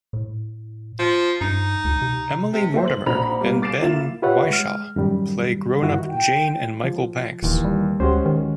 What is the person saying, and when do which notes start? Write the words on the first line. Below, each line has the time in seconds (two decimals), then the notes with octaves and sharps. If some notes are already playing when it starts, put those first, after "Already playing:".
Emily Mortimer and Ben Whishaw play grown up Jane and Michael Banks.
0.13 A2
0.99 F3
1.41 G2 D#4
1.85 D2
2.01 C3
2.53 C3
2.74 A3 C5
2.88 F#7
3.06 A#1 C4 F#4 A#5 B5 F7
3.41 G3 A#3 B3
3.62 D6 A6 C7 D7 E7
3.82 A#3 E4 F4 E7
4.22 F4 G4 B4 C#5 E5 F#5
4.50 G#3 F6
4.96 F#2 A2 D#3 G3
5.82 G2 D#3 E4 F#4
6.09 G5
6.84 F3
7.43 D1 D#2 E3
7.65 G3
8.00 D2 G#3 C#4 F#4 G4 C5
8.26 D#3